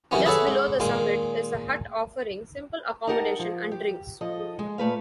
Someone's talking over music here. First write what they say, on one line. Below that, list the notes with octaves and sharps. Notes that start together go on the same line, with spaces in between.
Just below the summit is a hut offering simple accommodation and drinks.
C3 D#3 E3 F#3 B3 C#4
G#4 A4 B4 C#5 D5 E5
G#2
A#2 D#3 G#3
D#4 E4 G4 A#4 F#5 A5
F3
G4
F3 A4 D#5
G#3
A#2 A3 B4 F5